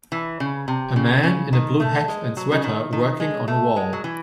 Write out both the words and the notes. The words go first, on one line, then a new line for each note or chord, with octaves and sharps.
A man in a blue hat and sweater, working on a wall.
E3
C#3
C3
C#3
C#3
D#3
A3
G#3
F#3
C#3
D#3
D#3
G#3
A3
G#3
F#3
E3